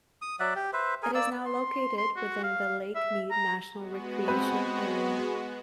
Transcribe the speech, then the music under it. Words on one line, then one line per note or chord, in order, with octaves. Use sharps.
It is now located within the Lake Mead National Recreation Area.
D#6
F#3 D5 E5 F#5
G4
B4 C5 E5
G#4 A#4 G#5
A#3 D5 E6
C6
C6
F#4
F5
E5
A#5
G#3 B3 F#4
C4 B4